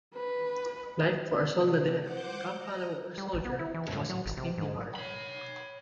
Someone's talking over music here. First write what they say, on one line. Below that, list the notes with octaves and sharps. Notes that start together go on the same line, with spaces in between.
Life for a soldadera, camp follower or soldier, was extremely hard.
B4
C3
C5 F#5 D6 G6
D#5 A#5
G3
A1
B3
E4
E3
A2
F#3
G#1
C3
G#2
C#5 B5